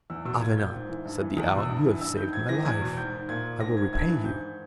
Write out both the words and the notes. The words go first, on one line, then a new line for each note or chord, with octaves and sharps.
"Avenant," said the owl, "you have saved my life, I will repay you."
E2 E6
B2 E6
A#2 G#6
G6
G#2
E3
G2
E3
E2 D#6
D#6
B2 E6
G2
E3
G2 E6
D#3 G6
G#2 G#6
E3 A#6
E2 G#6
B2
G#2 G6
D#3
A#2 G#6
G#2 A#6
D#3 G#6
G2 G#6
E3
G#2 G6
D#3